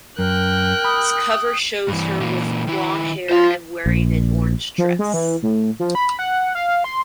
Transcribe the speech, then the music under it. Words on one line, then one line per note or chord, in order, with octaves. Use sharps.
Its cover shows her with blonde hair and wearing an orange dress.
F#2 A#4 G5 F#6
B5 D#6
G2 E3
A#2 E3 A#3
D#3 E4
F4 C5 E5 F5
A#1
F3
G#3
E3
A2
F3
B5
F#5
F5
F5
C6